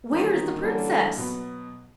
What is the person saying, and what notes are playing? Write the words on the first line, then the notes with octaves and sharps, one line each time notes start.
'Where is the princess?'
D#3 E3 G3 A#3 C#4 F4
D3 E3 G3 A#3 C#4 F4
B2 F#3 B3